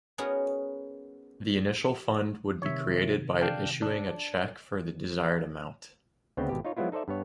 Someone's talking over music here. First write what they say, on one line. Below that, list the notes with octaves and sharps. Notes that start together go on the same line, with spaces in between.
The initial fund would be created by issuing a cheque for the desired amount.
B3 C#4 D#4 F#4 G#4 A#4
C3 D#3 C#5 E5
D4 F5 G5
D4
D2 C#3 B3 C4 G5
G#1 B2 G4
D#4 F4 C#5
F3 F#3 G#3 B3 E4 F4
D#4 A4 C5 D5 E5
G2 B3 C#5